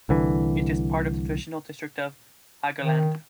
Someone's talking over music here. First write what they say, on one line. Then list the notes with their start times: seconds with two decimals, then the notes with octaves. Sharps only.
It is part of the traditional district of Haugaland.
0.09 C2 D3 E3
2.81 D#3